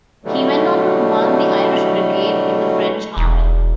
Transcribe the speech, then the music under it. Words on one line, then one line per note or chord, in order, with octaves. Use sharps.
He went on to command the Irish Brigade in the French army.
B2 D3 E3 F#3 G3 A3
E1